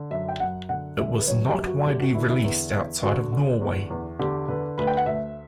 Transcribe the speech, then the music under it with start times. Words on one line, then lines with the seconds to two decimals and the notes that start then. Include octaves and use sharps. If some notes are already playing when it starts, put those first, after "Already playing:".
It was not widely released outside of Norway.
Already playing: D3
0.11 F#2 E5
0.29 G5
0.40 F#2 F#5
0.69 D3 F#5
0.98 D3 E5
1.19 B4
1.27 F#2 C#5
1.46 G4
1.56 F#2
1.66 F#4
1.86 D3 G4
2.00 F#4
2.15 D3 E4
2.29 E4
2.44 E2
2.74 E2
3.02 D3 F#4
3.32 D3
3.61 E2
3.90 E2
4.19 D3 G4
4.48 D3 B4
4.78 D2 B4
4.87 G5
4.97 F#5
5.06 D2 E5